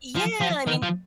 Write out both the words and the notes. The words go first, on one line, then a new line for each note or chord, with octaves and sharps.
Yeah, I mean
F3
F3
D#3
F3